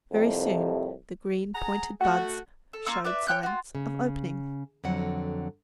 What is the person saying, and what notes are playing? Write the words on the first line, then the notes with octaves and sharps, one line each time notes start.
Very soon the green, pointed buds showed signs of opening.
C2 F2 A2 C3
G#4 F#5 A#5
A3 F#4 F#5
A4
A#3 F4 C#6 E6
D4 B4 D5 E5
C#5 G5 F#6 G6
F4 F#4
C#3
F2 D3 F#3 F#5